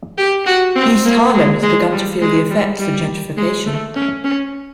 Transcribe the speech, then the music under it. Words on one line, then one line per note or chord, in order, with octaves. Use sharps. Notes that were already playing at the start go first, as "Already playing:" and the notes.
East Harlem has begun to feel the effects of gentrification.
G4
F#4
C4
A#3
G#3
G#3
G3
G#3
G3
G3
G#3
A3
C#4
C#4